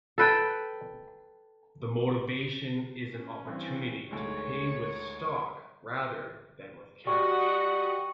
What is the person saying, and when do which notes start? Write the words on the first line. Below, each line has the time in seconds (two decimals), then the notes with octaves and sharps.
The motivation is an opportunity to pay with stock rather than with cash.
0.18 A4 B4 G5
3.13 C#4
3.46 G2 E3 C4
4.11 D2 G#2 G#3 C#5
7.07 G3 F#4 D#5 F#5 C#6